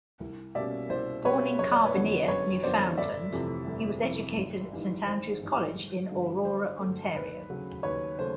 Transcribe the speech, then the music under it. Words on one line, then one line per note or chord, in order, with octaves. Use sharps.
Born in Carbonear, Newfoundland, he was educated at Saint Andrew's College in Aurora, Ontario.
C2
B2 G3 A#3 C#4 D5 E5
C2 C5 D5
B2 G3 A#3 C#4 B4 C#5
F#1 C#5
D5
B4 C#5
F2 D3 F#3 B3
F#1 B4 C#5
F2 D3 F#3 B3 C5 D5
G1 D5 E5
F2 C3 E3 A3
G1
F2 C3 E3 A3
G#1
G#2 E3 G3
G#1 C5
G#2 E3 G3
G1
G2 D3 F#3 A3
G1 C5
G2 D3 F#3 A3
D#2 B4
C#3 F#3 A3
D#2 B4 C#5
C#3 F#3 A3 C5